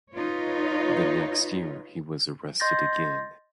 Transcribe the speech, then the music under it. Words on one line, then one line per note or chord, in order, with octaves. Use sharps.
The next year he was arrested again.
D#4 F4 B4 C#5
D#5 C6 G6 A6 A#6